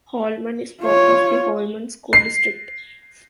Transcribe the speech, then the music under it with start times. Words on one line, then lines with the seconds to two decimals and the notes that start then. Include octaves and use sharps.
Holmen is part of the Holmen School District.
0.82 F4 C#5
2.13 C7